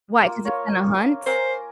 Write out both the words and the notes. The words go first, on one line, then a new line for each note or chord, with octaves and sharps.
Why, 'cause it's gonna hunt?
A#3 F4
F4 A#4 C#5
A#4 C5 G#5